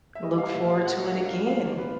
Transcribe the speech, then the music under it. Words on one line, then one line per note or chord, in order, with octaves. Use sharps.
Look forward to it again.
E5
G3 D#5
F5
F5
A#2 E5
F5
A#3 F#5
F#5
D4
F5
F3 F5
A#2 B4